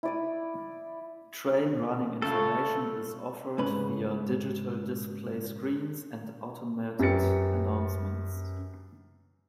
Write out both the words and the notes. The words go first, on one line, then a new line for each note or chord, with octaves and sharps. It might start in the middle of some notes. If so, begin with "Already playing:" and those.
Train running information is offered via digital display screens and automated announcements.
E4 D5 D#6
C#3 A3 F4 A4
G#2 C#3 B4
F#2 G4 B4 A6 C#7